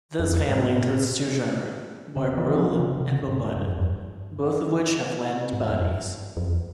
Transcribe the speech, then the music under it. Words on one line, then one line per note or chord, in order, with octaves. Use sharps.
This family includes two genera, "Barbourula" and "Bombina", both of which have flattened bodies.
F2
G#2
A#2
C#3
E3
F3
C#3
C3
G#2
G2
F2
G2
G#2
F2
G2
F2